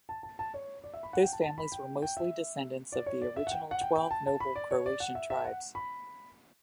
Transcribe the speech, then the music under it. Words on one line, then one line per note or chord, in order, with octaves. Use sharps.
Those families were mostly descendants of the original twelve noble Croatian tribes.
A5
A5
A5
C#5
D5
E5
B5
F#5
G5
A5
A5
B5
G5
G5
E5
D5
C#5
D5
E5
F#5
G5
F#5
G5
G5
A5
A5
B5
D5
C#5
D5
F#5
E5
E5
F#5
B5